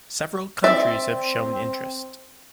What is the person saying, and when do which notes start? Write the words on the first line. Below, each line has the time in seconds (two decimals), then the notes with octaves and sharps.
Several countries have shown interest.
0.64 C4 D5 E5